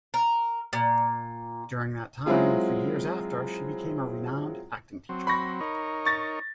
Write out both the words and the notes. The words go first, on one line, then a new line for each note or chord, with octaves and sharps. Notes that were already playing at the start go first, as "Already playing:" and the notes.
During that time, and for years after, she became a renowned acting teacher.
A#4
A#2
F#3 G#3 C4 E4 F4 G#4
F#3 C4
B5 C#6 A#6
D#4 A#4 C#5
C#6 A6 A#6